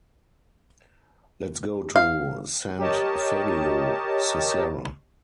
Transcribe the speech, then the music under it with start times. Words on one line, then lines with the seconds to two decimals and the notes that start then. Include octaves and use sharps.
Let's go to Sant Feliu Sasserra.
1.96 F5
2.78 G4 A#4 C#5 D#5 A5